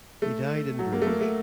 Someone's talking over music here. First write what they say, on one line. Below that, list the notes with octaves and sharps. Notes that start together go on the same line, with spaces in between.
He died in Bruges.
A3
F#3
A#3
A3
A#3
A3